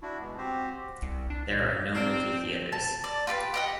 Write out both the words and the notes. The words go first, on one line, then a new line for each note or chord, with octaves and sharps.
There are no movie theatres.
D4 E4 F#4
B2 G#3 B3
C4 F#4 G4 C5
C2
D4
A#2
C4 D4 F4 A#4 C5
A5
D5
F4 G4 B4
G4 D#5 F#5